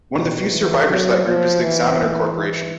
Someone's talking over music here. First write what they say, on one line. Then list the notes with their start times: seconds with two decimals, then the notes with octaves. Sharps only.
One of the few survivors of that group is The Examiner Corporation.
0.12 B2
0.50 E3
0.87 F#3
1.23 F3
1.61 E3
2.34 E3